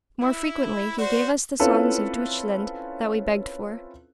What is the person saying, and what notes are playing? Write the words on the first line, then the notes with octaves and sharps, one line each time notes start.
More frequently he gave us the songs of Deutschland that we begged for.
E4
F#4 C5 D5
C4 C#4 E4 F4 A4 B4